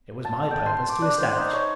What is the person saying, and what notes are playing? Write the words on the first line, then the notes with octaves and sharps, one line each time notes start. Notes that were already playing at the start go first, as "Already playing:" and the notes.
It was my purpose to establish it.
A5
G5
C6
D6
D4
C5
D#4
C#5